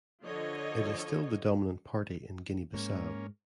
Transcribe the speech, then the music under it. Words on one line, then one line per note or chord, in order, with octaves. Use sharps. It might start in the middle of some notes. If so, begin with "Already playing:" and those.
It is still the dominant party in Guinea-Bissau.
D3 F3 C#5 D#5
G#2 G#3 A#3 C#4